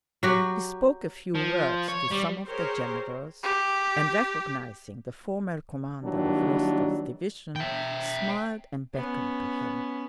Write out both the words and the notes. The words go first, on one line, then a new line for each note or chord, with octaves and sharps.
He spoke a few words to some of the generals, and, recognizing the former commander of Rostov's division, smiled and beckoned to him.
F#3 F#4 G4
F3
C#5
G3
G4 G#4 A#4 C5 C#5
G4
D#3 E3 F#3 G3 A#3 D4
E5 G5
B3 C#4